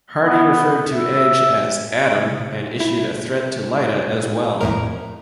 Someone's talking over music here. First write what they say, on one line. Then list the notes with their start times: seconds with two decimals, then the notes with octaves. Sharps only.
Hardy referred to Edge as "Adam" and issued a threat to Lita as well.
0.22 B3
0.92 E5
2.80 E4
4.61 F2 A2 A#4